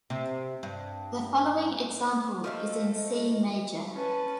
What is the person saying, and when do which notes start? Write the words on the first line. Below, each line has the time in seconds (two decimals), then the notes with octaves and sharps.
The following example is in C major.
0.10 C3
0.63 G2
2.44 F3 A3 A4 D#5
3.92 C#4 B4 A5